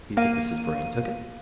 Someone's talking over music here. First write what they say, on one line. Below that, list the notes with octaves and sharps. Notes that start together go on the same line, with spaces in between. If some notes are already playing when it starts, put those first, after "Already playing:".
"Do you think Mrs. Vrain took it?"
A#3 F5 D#7